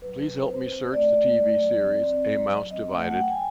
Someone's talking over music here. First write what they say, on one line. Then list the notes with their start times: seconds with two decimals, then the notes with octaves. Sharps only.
Please help me search the TV series A Mouse Divided.
0.02 F#3 B4
0.25 F#3
0.42 B4
0.47 C4 C5
0.70 C4
0.92 A3 D5
1.14 A3
1.36 A3
1.59 F#3
1.81 C4
2.03 C4
2.26 F#3
2.48 F#3
2.71 C4 D#5
2.93 A3
3.00 F#5
3.11 F#3 F#5
3.21 G5
3.30 G#5